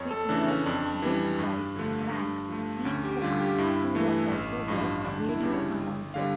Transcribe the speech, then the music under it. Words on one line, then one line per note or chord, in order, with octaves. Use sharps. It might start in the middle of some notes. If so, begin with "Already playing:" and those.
It was built by Frank C. Cook, who was also the radio announcer.
Already playing: F2 C#5
A4
C#3 E3 D4
C#4
F2 D4
E3 G3
G2
D3 F3 A3
G2
F3 A3
D2 C#4
G4
D3 G3 F4
G4
G2 E4
E3 A3
A1
G2 F3
D2 D4
E4
C#3 G3
C#5
G1
D3 G3 F5